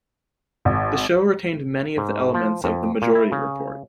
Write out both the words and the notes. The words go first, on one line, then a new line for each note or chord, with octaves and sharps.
The show retained many of the elements of "The Majority Report".
G#1
G#2
F3
F2
A#2
E4
C#3